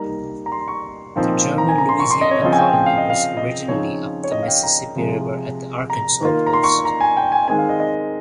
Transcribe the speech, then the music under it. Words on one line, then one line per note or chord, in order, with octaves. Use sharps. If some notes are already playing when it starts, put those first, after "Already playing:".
The German Louisiana colony was originally up the Mississippi River at the Arkansas Post.
Already playing: G3 A#3 D#4 A#5
A#5
C6
C#6
A#2 F3 C4 D#4
A#5
G#5
A#5
C6
C#6
C6
D#5
C#5
C#3 F3 C4 F4 D#5
G#5
G5
G5
F5
D#5
F5
D#5
C#3 F3 C4 D#4 C#5
C#5
D#5
F5
G5
A#5
C3 F3 G#3
A#5
D#3 A#3 F4
A#5
C6
C#6
A#5
G#5
G5
G#5
D#3 G#3 C4 G#5
F5
D#5
D#5